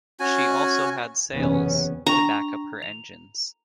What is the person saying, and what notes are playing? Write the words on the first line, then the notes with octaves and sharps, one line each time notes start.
She also had sails to back up her engines.
C#4 F#4 G#5
F#1 E2 C3 B3 C#4
D4 G5 A#5 C#6
F7